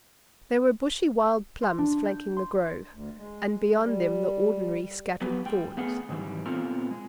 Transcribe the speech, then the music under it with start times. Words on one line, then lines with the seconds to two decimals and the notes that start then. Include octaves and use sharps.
There were bushy wild plums flanking the grove, and beyond them the ordinary scattered thorns.
1.63 C6
1.78 D4
2.05 G6
2.37 C6
2.93 D2
3.17 G#3
3.84 G3
5.21 F#3 B3 G4 B4
5.46 G#3 G5
5.77 A3 B3 G#4 F#5
6.09 G#2 D#3 E3 F#3 G3
6.46 A#2 B3 C4 F4 A4 A#4
6.91 G#3